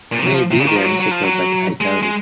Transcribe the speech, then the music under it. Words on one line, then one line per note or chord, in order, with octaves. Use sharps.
Maybe they're inseparable, but I doubt it.
A#2
C3
F#3
F3
C3
C#3
D#3
F3
F#3
F#3
F3
F#3
G#3
G#3